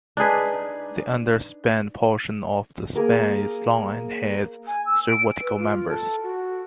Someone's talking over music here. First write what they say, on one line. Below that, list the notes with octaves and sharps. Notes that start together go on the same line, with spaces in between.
The underspanned portion of the span is long and has three vertical members.
D4 D#4 G#4 B4
A#3 G#4 A#4
G#5
E6
D7
B4
F4
A4
F#4